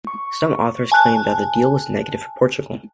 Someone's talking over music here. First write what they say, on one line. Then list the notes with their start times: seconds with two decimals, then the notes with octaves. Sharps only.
Some authors claim that the deal was negative for Portugal.
0.07 C#6
0.92 G#5 A5 F#6